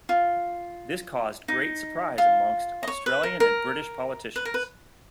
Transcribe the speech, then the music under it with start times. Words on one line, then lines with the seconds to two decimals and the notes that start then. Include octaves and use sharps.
This caused great surprise amongst Australian and British politicians.
0.09 F4
1.48 D#4
2.18 F4
2.83 D#5
2.88 C#5
3.06 B4
3.23 A#4
3.40 A#4
4.36 B4
4.45 A#4
4.54 B4